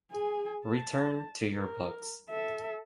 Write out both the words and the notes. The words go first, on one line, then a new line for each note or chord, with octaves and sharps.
Return to your books.
G#4 G#5
A5
A#4
A4 E5